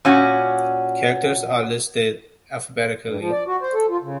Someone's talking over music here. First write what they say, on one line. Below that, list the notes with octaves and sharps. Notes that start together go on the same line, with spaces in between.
Characters are listed alphabetically.
A#2 C#4 F#4
G2
F3
D5
F#4
C5
A4
F4
C#3